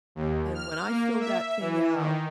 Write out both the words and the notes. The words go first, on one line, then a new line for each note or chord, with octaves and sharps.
and when I filled that thing out
D#2
F6
A#3
E5
E3
D#3